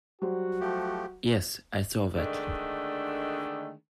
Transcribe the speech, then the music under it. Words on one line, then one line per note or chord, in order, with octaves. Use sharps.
Yes, I saw that.
F#3 G3 F#4 C5
F3 A3 G4
D3 D#3 G#3 A3 D4